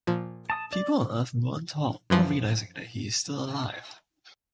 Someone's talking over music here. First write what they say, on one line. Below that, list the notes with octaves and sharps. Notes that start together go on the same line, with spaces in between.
People on Earth mourn Tom, not realising that he is still alive.
A#2 F3
A5 D#6
D5
F#2 E3 F3